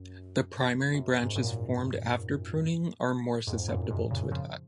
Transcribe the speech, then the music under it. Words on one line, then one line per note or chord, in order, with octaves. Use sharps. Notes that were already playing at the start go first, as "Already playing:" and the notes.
The primary branches formed after pruning are more susceptible to attack.
Already playing: F#2
F#2
F#2
G#2
F#2 A#2
F2 G#2
F#2 A#2
G#2 C3
A#2 C#3
C#3 F3